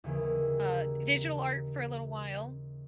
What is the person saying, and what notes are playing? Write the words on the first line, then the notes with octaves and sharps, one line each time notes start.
uh, digital art for a little while.
D#2 C#3 E3